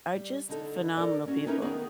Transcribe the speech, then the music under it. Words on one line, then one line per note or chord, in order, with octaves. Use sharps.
are just phenomenal people.
G3
D3 D#4 A4
A4 A#4 D5
C#4 F#4
B3 C#4 D#4 E4 A#4 B4
D#3 B3 G#4 A#4